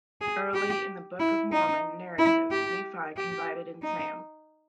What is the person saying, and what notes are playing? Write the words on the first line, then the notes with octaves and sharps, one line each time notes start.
Early in the Book of Mormon narrative, Nephi confided in Sam.
G#4
G4
E4
D#4
E4
G4
G4
D#4